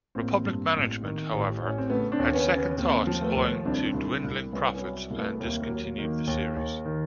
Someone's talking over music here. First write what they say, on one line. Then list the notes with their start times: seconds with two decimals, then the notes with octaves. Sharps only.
Republic management, however, had second thoughts owing to dwindling profits, and discontinued the series.
0.15 A1 A#3 C4
0.45 G2
0.74 A1
1.03 D#3
1.32 A1
1.61 A1
1.66 C#4
1.78 C4
1.90 C#3 A3 B3
2.12 C4 D4
2.19 D#2
2.33 B3 C#4
2.48 C#3
2.56 B3 C#4
2.77 D#2 A#3 C4
3.07 F3
3.21 A3 B3
3.36 D#2
3.65 C2 C4 D4
3.94 C2
4.23 C2
4.52 C2 B3 C#4
4.74 B3 C#4
4.82 F#3
5.10 C2
5.18 A3 B3
5.33 A3
5.40 D#2 A#3
5.62 A#3
5.69 F#3
5.84 A#3
5.98 D#3
6.05 A#3
6.27 D#2
6.56 D#2
6.85 D#3